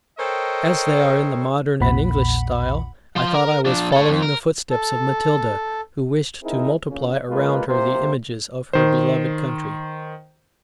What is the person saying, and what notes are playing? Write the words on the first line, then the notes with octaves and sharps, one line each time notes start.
As they are in the modern and English style, I thought I was following the footsteps of Matilda, who wished to multiply around her the images of her beloved country.
A4 A#4 C5 C#5 D#5 G5
A#1 E2 A#2 F#5 B5
F3 C6
A#4
F3 D4
A4 C#5
F2
A#4
A4
C4 D#4 E4 G#4 A#4
A#1 A#2 C#3
G#3 A#3 F4 B4
C2 C3 A#3 C5
D#3 C5